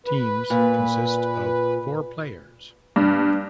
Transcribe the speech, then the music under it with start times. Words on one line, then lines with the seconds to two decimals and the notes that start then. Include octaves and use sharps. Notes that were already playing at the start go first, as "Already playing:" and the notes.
Teams consist of four players.
0.06 B4
0.50 A#2
2.96 G2